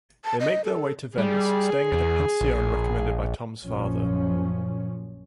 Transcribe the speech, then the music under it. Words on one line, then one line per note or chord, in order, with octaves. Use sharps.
They make their way to Venice, staying at a "pensione" recommended by Tom's father.
A5
D#5
A4
G3 G#4
E2
A#1
A#1 F#2 A#2 F3 C#4